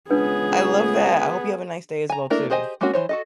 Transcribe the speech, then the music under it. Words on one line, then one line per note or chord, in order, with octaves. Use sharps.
I love that, I hope you have a nice day as well, too.
C#2 B3 D4 G#4 B4 A5
G#5 A#5
A3 A#3 D4 E4 A#4
G4 G#4 C5 D#5 G#5
G#3 A#3 C4 C#4 F#4
E3 C5 C#5
F#4 A4 D#5